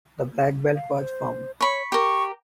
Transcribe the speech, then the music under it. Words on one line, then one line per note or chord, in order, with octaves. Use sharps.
The Black Belt was formed.
F5
C5
C#5 B5 C#6
G4 A#4 C#6